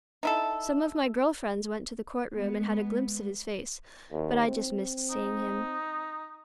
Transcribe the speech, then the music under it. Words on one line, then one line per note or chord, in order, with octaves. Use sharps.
Some of my girl friends went to the court-room and had a glimpse of his face, but I just missed seeing him.
D#4 E4 A4
G#3 B3
D#2
C4
D#4